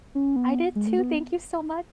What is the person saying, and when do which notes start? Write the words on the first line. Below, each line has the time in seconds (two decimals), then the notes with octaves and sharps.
I did too. Thank you so mu
0.15 C#4
0.36 B3
0.76 G#3
0.87 A3
0.99 B3